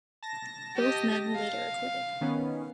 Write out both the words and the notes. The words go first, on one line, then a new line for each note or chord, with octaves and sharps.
Both men were later acquitted.
A5 A#6
G4 D#5
F5
D#3 B3 C#4